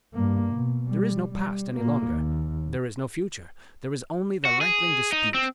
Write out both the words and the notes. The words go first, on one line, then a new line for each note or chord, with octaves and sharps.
There is no past any longer, there is no future, there is only the rankling dispute.
G2 A#3
B2
G3
G3
A#2 A#3
D#2
F#4
G#4
D#4
C4